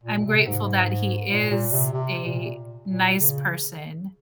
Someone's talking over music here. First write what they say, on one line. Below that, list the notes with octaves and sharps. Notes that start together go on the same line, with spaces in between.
I'm grateful that he is a nice person,
A#2
C3
G#2
A#2
A#2
C3
C3
A#2
A#2
C#3